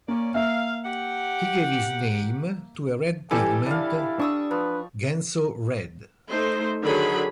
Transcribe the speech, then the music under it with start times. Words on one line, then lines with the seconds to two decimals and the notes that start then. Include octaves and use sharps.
He gave his name to a red pigment "Genso red".
0.08 A#3 C#4 D5
0.35 A#3 E5 F5
0.85 G4 F#5
3.31 E3 G3 G4 A4 G#5
3.66 D4 E4 F5
4.19 D4 C#6 D#6 E6
4.51 F3 B4
6.29 A3 D#4 C5
6.82 D3 D#3 F#3 G#4 B5